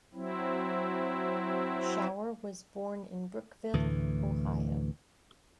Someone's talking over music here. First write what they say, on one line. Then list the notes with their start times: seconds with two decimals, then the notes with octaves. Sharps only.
Shower was born in Brookville, Ohio.
0.14 F#3 C4 E4
3.73 D2 A2 E3